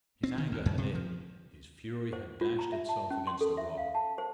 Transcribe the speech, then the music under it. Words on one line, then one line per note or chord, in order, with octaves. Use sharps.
His anger had ebbed, his fury had dashed itself against a rock.
C4
D#3
D2
F#2
C3
F3
C5
F4
A#5
E5
A5
C#4
C6
A4
E5
F5
A5
C5